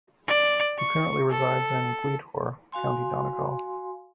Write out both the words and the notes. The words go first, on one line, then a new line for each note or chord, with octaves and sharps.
He currently resides in Gweedore, County Donegal.
D5
C#6
A4
F#4 F5 G#5 C6